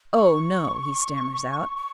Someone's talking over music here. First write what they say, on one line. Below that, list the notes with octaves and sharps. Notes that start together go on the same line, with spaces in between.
"Oh, no," he stammers out.
C#6
C#6